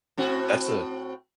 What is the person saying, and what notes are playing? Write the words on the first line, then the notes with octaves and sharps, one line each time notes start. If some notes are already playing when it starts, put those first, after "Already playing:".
That's a
A2 C4 F#4